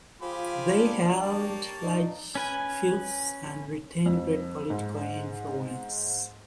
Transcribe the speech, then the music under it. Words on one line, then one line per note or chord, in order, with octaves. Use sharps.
They held large fiefs, and retained great political influence.
F3 F4 G4 G#4 B5
D4
A#3 G4 C#5 A5
D4 D#4
C#4 B4 G#5
F2
G#2